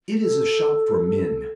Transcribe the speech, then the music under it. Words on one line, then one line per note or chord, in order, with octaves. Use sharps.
It is a shop for men.
A4